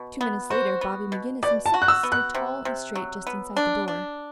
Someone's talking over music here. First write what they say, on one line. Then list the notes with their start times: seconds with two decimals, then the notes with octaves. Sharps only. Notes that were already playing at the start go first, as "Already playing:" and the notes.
Two minutes later Bobby McGinnis himself stood tall and straight just inside the door.
Already playing: B2
0.21 B3
0.50 F#4 C5
0.81 B3
1.12 B2
1.43 B2 D5
1.66 A5
1.74 F#4
1.82 F#6
1.88 E6
2.03 B3
2.12 F#6
2.35 C3
2.65 C3
2.95 F#3
3.27 B3
3.57 D4
3.88 D4